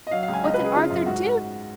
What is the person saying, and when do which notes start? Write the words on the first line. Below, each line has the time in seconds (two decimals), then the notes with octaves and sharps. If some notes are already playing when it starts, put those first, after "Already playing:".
What did Arthur do?
0.07 D#5
0.11 F#3 F5
0.23 F5
0.28 C#2
0.34 G#5
0.44 C#2 D#5
0.54 B4
0.60 C#3 G#4
0.75 C#3 F4
0.90 F#2
1.06 G#2 F#4